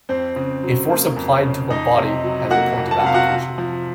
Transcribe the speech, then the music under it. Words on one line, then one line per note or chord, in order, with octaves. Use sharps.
A force applied to a body has a point of application.
F2 C4 C5
C#3
F#3
A#3
F2
C#3
F2 D#4 D#5
C3
F#3
A#3 F#4 F#5
F2
A5
F#5
C3 F5
F#4 F#5
C3
F3